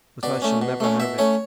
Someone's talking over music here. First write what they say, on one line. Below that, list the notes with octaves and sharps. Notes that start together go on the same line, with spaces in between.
"But I shall never have it."
B2 D5
A3 C#4
B2
A3 C#4
B2 E5
A3 C#4 C#5